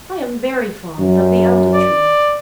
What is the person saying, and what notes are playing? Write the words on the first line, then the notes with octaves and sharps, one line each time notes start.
I am very fond of the Elder-tree.
F#2
D5